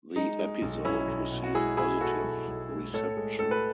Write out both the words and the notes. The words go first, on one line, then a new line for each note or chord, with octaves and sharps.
The episode received positive reception.
G#3 D#4
G#3
B1
B1 C#4 E4
B1
B2
F#4
G#3 E4 G#4
B2 E4 G#4
B2 F#4 A4
B1
B1
G#3
A2 A4 C#5
G#3
A2 A4
B4